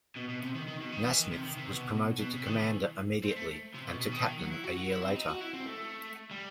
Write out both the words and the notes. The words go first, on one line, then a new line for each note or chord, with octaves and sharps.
Nasmith was promoted to Commander immediately and to Captain a year later.
B2
B2
C3
D#3
D#3
B2
D#3
E3
D#3
C3
D#3
C3
B2
B2
C3
D#3
E3
C4
A3
C3
B2
B2
D#3
D#3
F#3
E4
F#4
F#4
E4
C4
D#4
F#4
E4
C4
A3
G3